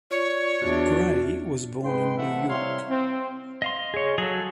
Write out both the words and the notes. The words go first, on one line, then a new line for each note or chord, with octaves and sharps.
Gray was born in York.
F4 C#5 D5 C#6
E2 D4 F4 F#4
G#2 G#3 B4 G5 C6
A2 C3 E3 A3 E5 F#5
C3 G3 E4 C#5 F5 C6
C4
D#5 F5 C6
G#4 C#5
F#3 G#4 A4